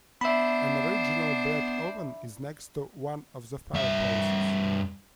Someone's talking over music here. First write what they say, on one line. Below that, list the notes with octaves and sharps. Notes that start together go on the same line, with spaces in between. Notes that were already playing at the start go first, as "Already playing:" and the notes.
An original bread-oven is next to one of the fireplaces.
B3 D4 C5 E5 B5
G2 E5